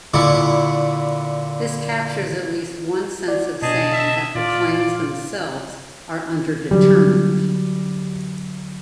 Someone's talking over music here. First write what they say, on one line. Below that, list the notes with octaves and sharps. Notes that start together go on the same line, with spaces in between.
This captures at least one sense of saying that the claims themselves are underdetermined.
A#2 D3 E4 C#6
F#4 D5
B2 B3 D4 G#4 D#5 A5
E5
A#2 F4 D5
D3 F#3 G3